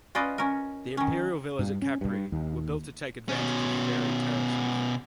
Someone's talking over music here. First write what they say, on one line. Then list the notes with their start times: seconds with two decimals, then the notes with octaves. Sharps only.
The imperial villas at Capri were built to take advantage of varied terraces.
0.15 C#4 F4 B4 D5 D#5
0.38 C#4 A#4
0.97 D#3 C#4
1.59 G2
1.82 C#4
2.01 G2
2.32 D#2
3.29 B2 C#4